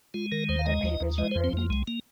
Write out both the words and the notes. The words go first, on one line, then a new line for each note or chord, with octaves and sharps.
The papers were graded.
G#3 F4
D#3 A#4
D#2 C5
F5
G#3 D#5
D#2
D#2
G#3 D#5
F2 C5
C4
F2 A#3
C2 G#3
A#3